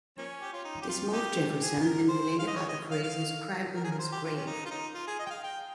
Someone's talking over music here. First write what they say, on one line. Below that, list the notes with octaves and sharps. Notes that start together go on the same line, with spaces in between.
This moved Jefferson, and he later had the phrase inscribed on his grave.
F3 A#3 C#4
G4
F4
D#4
G4
F4
A#3 D#4 G4
G#4
A#4
C5
F5
D#5
C#5
D#5
F5
F5
A#4
G#4
A#4
C5
G4
F4
C#4
D#4
F4
D#4
F4
G#4
D#5
G5
F5
G5